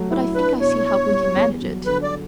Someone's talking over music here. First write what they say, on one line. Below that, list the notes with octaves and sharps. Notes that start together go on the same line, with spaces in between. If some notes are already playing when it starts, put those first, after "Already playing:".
But I think I see how we can manage it.
Already playing: F#3 A3
E4
D4 B4
B2 C#5
D4
G3
E2
F#3
D3 B4
D5